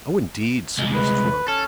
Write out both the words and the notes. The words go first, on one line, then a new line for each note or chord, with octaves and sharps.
"Oh, indeed!" said Mrs. Roper.
C2 G#3
B4
C#4 A4